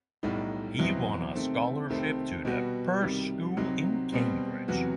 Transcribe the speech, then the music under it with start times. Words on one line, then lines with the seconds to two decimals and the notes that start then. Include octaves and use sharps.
He won a scholarship to The Perse School in Cambridge.
0.23 B1 A2 G3 D#4
0.79 E2 B2 F#3 C4 E4
1.34 C3 D#3 A3 C4
1.90 C2 C3 D#3 A3 C4
2.45 B2 G3 B3 F#4
3.01 C2 C3 D#3 G3
3.57 C2 C3 F#3 C4 D#4
4.12 B2 G3 C4
4.68 E2 C3 F#3 B3 F#4